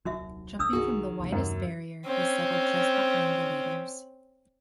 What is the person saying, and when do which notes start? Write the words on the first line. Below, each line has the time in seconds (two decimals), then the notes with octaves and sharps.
Jumping from the widest barrier he settled just behind the leaders.
0.05 D#1 C2 F#3 D#4 F#4 E5
0.59 C2 D4 D#6 E6
0.73 D#3 F#4 G#4
1.20 D#2 C3
1.32 F#2 F#3
2.06 C4 C#4